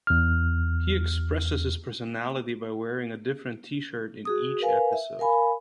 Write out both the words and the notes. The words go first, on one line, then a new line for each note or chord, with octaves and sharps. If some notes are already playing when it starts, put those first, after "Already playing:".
He expresses his personality by wearing a different T-shirt in each episode.
E2 F6
F#4 G#4 D#6
A#4 B4 F5 G#5
E5
A#4 F5 G#5 B5